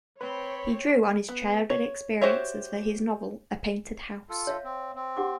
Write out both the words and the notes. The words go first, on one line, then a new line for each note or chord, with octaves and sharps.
He drew on his childhood experiences for his novel "A Painted House".
C4 B4 C#5 B5
B3
C#5
F#4 G4 C5 C#5 E5
F4 A4
C#5 E5 F5
C4
C4
G4 F#5 D6